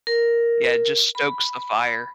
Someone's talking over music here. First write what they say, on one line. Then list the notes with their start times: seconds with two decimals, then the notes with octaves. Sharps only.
Yeah, it just stokes the fire.
0.07 A#4
1.15 B5